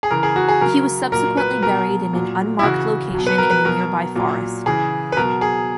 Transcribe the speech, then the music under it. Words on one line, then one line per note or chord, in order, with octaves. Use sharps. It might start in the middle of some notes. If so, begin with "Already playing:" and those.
He was subsequently buried in an unmarked location in a nearby forest.
G#4
C#3 E3 A#4
G#4
F#4
G#4
C#3 F#3 A#4
A#2 F#3 A#4
B4
B2 F#3 A#4
A#2 F#3
E4
C#3 E3 F#4
B2 F#3
B4
A#4
B4
B2 F#3 A#4
A#2 F#3
C#3 E3 G#4
B4
B2 F#3 A#4
G#4